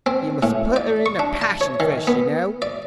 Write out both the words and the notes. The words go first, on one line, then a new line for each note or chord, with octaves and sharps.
You must put her in a passion first, you know.
C4
A2
D5
C#6
D4
A5
C#5
D#3
B3
D5